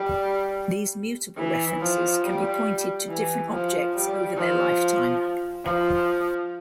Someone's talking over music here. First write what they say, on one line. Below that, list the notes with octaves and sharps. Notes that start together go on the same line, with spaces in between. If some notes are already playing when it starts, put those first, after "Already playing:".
These mutable references can be pointed to different objects over their lifetime.
Already playing: G3
E3
F3
G3
E3
F3
G3
F3
F3